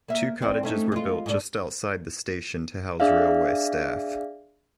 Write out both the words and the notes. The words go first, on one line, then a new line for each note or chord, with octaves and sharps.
Two cottages were built just outside the station to house railway staff.
A#3 E5
E2 C4 D5
A3 C#4 D#4
G#3 F4
G#2 D4
D4 G#4 D5 E5 F5